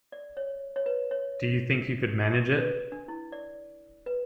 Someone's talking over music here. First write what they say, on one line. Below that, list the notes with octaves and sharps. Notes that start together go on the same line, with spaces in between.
Do you think you could manage it?
D5
C#5
C#5
B4
C#5
B4
D4
E4
D5
B4